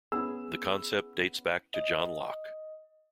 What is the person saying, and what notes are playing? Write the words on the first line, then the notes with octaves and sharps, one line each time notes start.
The concept dates back to John Locke.
B3 C#4 E4 G#4 E6
D#5